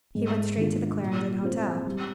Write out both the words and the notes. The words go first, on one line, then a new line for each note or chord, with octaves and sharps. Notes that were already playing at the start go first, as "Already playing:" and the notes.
He went straight to the Clarendon Hotel.
G#2
D#3 G#3 D4 F4
A#2
G#3 C4 F4 C5
G3